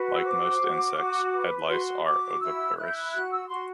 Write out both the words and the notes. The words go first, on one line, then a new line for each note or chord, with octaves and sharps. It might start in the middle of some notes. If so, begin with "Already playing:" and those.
Like most insects, head lice are oviparous.
Already playing: F#4 B4
E6
C5 D6
F#4
F#4
B4
F#4 C6
F#4 D6
E4 E6
E4 F#6
G6
F#6
F#4 F#6
E6
F#4 C6